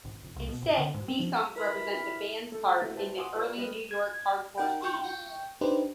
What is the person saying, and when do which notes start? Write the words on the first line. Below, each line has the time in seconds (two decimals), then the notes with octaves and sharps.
Instead, these songs represent the band's part in the early New York hardcore scene.
0.04 G#1
0.23 F1
0.36 C2
0.49 B2
0.62 G#1
0.77 D3
0.94 G#2
1.08 C4
1.20 F3
1.56 E4 A#4 B4 B5 F6
2.52 A3 A4
2.79 A3 E4 F#4
2.94 G4 B4 C5 E5 A5
3.16 F5 F#5 G#5 C6 D6 D#6
3.35 F4 G4 B4 C#5 D5
3.57 G3 B4 D#5 F6 D#7
3.91 G#6
4.58 D#4 A#4 F#5 G5
4.84 G5 C#6 G6
5.61 D4 D#4 G4 B4 C5